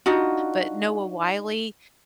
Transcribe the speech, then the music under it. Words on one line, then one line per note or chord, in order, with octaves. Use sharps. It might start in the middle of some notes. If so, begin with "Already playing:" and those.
but Noah Wiley
D4 D#4 F4 F#4